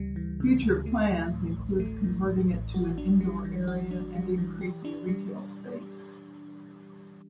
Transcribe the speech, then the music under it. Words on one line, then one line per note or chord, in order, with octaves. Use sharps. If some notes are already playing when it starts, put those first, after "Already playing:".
Future plans include converting it to an indoor area and increasing retail space.
Already playing: D2 C#3 E3 G3
E3
C#3
D2
A3
E3
A2
A1
A3
E3
A2
A1
F#4
D4
G3
E3
F#4
D4
G3
E3
G4
D4
G3